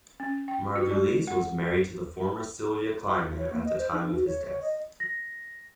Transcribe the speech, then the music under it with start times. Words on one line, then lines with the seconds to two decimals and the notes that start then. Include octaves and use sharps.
Margulies was married to the former Cylvia Kleinman at the time of his death.
0.20 C#4
0.48 G5
0.76 F#4
0.91 G#3
1.27 F#5
3.38 C#5
3.53 A#3
3.65 D#5
3.78 C5
3.92 D#4
4.11 F#4
4.26 C#5
4.45 C#5
4.61 D#5
5.00 A#6